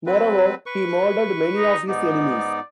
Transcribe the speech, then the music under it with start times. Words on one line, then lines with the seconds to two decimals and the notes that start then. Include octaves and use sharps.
Moreover, he murdered many of his enemies.
0.06 F#3 C4 B4
0.66 B4 C#6
1.57 D#4
1.88 G#2 B3 D#4 D5